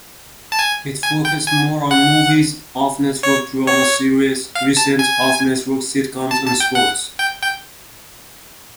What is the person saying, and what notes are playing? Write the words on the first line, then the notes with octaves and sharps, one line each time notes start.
It focused more on movies, off-network drama series, recent off-network sitcoms and sports.
A5
G#5
G#5
G5
G#5
F#5
C#5
C#5
F5
A5
G#5
A5
A5
G5
F#5
G5
G5